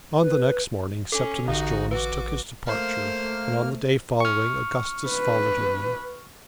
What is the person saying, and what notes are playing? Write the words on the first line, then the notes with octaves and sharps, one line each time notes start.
On the next morning Septimus Jones took his departure, and on the day following Augustus followed him.
B4
C#4 A4
A1 D3 D#4 F#4
F#4 B4 D6
A3 A#3 C5 F6
C#6 F6
B4